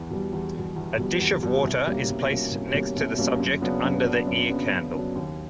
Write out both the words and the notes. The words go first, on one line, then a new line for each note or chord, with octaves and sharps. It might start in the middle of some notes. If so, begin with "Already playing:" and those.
A dish of water is placed next to the subject under the ear candle.
Already playing: E2
B2 G3
E2
B2 G3
E2
B2 G3
E2
B2 G3
C2
B2 G3 A#3 C#4
C2
B2 G3 A#3 C#4
C2
B2 G3 A#3 C#4
C2
B2 G3 A#3 C#4
F#2
C#3 F#3 B3 D4
F#2
C#3 F#3 B3 D4
F#2
C#3 F#3 B3 D4
F#2
C#3 F#3 B3 D4
D#2